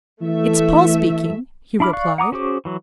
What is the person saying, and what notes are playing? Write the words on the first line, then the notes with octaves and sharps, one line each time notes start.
"It's Paul speaking," he replied.
E3 A3 E5
D4 E4 B5 D6 F6
D5 F5 C#6 F#6
F#5 A#5 D6 D#6
C#4 F#4 G#4 C5 D6
E3 F#3